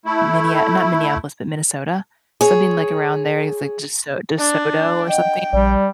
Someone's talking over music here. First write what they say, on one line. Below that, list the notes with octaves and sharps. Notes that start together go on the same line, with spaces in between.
Minneap not Minneapolis, but Minnesota. Something like around there. It's like DeSo DeSoto, or something.
A3 E4
G#4 C#5
D4
D#5 F#5 G5
A#1 G3 D5